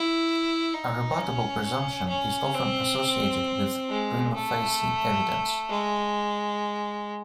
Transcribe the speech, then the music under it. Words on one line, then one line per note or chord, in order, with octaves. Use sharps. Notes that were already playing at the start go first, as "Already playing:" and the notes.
A rebuttable presumption is often associated with "prima facie" evidence.
Already playing: E4
D#4
C#4
C#4
C4
G#3
A3
G#3